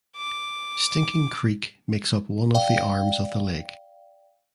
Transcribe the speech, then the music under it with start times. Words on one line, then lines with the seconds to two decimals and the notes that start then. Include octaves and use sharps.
Stinking Creek makes up one of the arms of the lake.
0.17 D6
2.55 D5 F5 G5